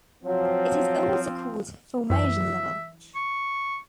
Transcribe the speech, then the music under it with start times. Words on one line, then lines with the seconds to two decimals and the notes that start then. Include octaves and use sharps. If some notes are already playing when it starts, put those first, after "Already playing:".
It is also called formation level.
0.24 F3 F#3 C4
2.10 F#2 E3 E5
3.16 C#6